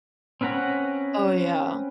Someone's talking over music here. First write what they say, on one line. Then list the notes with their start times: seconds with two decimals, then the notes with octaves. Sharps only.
Oh, yeah.
0.41 C4 C#4 B4 F#5 A#5